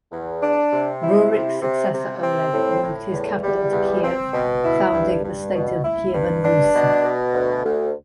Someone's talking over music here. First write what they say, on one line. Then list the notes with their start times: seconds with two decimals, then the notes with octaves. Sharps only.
Rurik's successor Oleg moved his capital to Kiev, founding the state of Kievan Rus'.
0.12 E2
0.42 D4
0.73 C3
1.02 E4
1.33 C3
1.62 C3
1.93 C3
2.23 C4
2.53 A2
2.83 A2
3.12 E2
3.44 G3
3.73 E2
4.03 C4
4.33 B2
4.64 E4
4.93 G2
5.24 G2
5.54 B2
5.84 E4
6.14 G2
6.44 D4
6.74 B2
7.04 B2
7.34 D2
7.64 D2